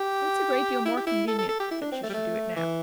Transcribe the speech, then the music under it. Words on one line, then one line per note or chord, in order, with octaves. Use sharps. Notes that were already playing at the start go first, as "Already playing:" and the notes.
It's a great deal more convenient that she should do it now.
Already playing: G4
E4
G4
E4
A4
A4
A4
G4
E4
D4
C4
A3
G3
A3
E3